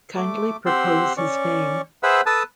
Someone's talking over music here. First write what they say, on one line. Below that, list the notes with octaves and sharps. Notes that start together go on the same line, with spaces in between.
Kindly propose his name.
A3 D6
C4 G4 F#5 C6 E6
C#4 D5 C#6
G#4 B4 C5 E5 F#5 E6
A4 B4 A5 D#6 E6